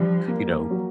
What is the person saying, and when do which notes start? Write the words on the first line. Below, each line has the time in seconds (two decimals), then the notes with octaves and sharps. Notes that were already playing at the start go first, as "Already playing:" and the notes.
you know,
Already playing: F3 G3 D4
0.28 A#3
0.71 F#3